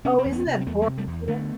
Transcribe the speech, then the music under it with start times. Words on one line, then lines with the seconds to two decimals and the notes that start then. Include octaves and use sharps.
Oh, isn't that horrible?
0.05 C3 C#4
0.19 C4
0.25 E2
0.32 B3 C#4
0.46 C3
0.61 C4
0.67 E2 A3 B3
0.82 G#3 A#3
0.87 C3
0.98 G3 A3
1.07 E2
1.28 D3 A3 B3